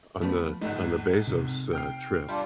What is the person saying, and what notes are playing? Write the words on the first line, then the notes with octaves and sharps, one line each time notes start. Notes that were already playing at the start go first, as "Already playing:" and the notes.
o on the on the Bezos, uh, trip.
F3 A3 B3
G1 G#2 D#4 A4 F#5
C3
G5 F6 C7
G3 D4 F4